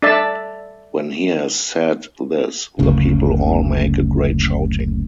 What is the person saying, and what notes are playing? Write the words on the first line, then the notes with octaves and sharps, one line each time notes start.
When he has said this, the people all make a great shouting.
D4 A4 D5 E5 A5
F#1 D2 C#3